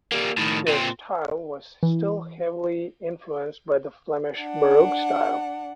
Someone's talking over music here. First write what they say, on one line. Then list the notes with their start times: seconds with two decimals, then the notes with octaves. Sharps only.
Their style was still heavily influenced by the Flemish Baroque style.
0.12 G3 A#3
0.38 A2 D#3
0.68 A#2 C4
1.83 E3
4.40 D4 F#5